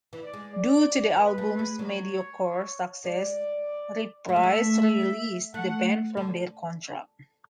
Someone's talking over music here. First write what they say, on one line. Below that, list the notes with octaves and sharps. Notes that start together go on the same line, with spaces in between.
Due to the album's mediocre success, Reprise released the band from their contract.
E3
D5
G#3
D5
G#3 B4
A3
G#3
F#3 C#5
G#3 D5
A3 E5
G#3
A3
A3 F#5
D3